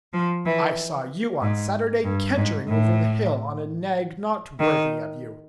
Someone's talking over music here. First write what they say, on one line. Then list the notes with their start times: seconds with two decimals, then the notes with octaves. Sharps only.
I saw you on Saturday cantering over the hill on a nag not worthy of you.
0.13 F3
0.45 E3
1.41 G#2
2.04 G2
2.36 G#2
2.68 A2
4.59 D#3